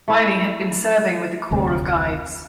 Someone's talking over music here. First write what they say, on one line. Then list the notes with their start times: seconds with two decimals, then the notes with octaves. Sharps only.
Wylly had been serving with the Corps of Guides.
0.08 A3 E4
1.51 F1 D2 C3